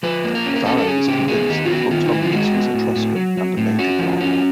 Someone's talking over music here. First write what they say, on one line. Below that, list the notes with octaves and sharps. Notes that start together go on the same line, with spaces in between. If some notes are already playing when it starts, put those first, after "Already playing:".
Varro was convinced that Vortumnus was Etruscan, and a major god.
F3 B4
A#3
A#4
C#4
A#4
C#4 A4
A4
C#4 G#4
C#3 G4
B3 G#4
D#3 G4
F4
B3 F#4
D#3 F4
D#4
D#3 E4
F4
G#3 F#4
B3
A2
A2
F#3
F#3
A2
C#4 F#4
F3
C#4